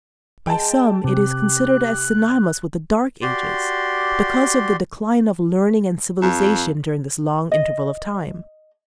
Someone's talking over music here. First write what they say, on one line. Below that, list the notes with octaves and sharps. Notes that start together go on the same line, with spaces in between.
By some it is considered as synonymous with the Dark Ages, because of the decline of learning and civilization during this long interval of time.
G#3 G5 A5
C3 G4 F#6
F#4 G4 D5 C6
F2
D#5